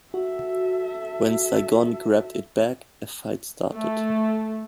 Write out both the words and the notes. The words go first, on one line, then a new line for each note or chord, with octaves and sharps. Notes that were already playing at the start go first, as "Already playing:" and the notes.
When Saigon grabbed it back, a fight started.
F#4 A4 E5
A3